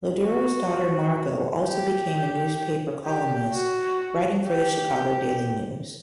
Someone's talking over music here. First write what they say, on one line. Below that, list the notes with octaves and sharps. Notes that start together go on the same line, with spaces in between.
Lederer's daughter Margo also became a newspaper columnist, writing for the "Chicago Daily News".
F#4
G4
G4
F#4
G4